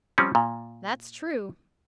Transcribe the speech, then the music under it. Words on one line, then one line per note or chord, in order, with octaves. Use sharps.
"That's true."
F3 G3 C4 C#4
A#2